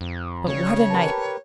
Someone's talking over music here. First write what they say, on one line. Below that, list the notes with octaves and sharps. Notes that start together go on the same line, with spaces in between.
But what a night!
F2
C#3 G3 C#5
G4 A#4 B4 A5 B5